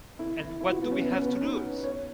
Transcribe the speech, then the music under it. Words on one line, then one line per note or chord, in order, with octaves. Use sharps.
And what do we have to lose?
E4
E4
E4
F#4
B3
C#4
B3
C#4
B3
C#4
D#4
C#5